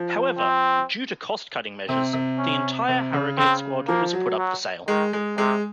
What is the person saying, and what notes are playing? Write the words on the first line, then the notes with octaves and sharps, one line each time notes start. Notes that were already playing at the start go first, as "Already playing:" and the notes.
However, due to cost-cutting measures the entire Harrogate squad was put up for sale.
Already playing: F3
C4
C3 C4
C3
C#4
C3
C#3
C#3 C4
F3 A#3
F#3
F#3
D#3 G#3
G#3
C3 G#3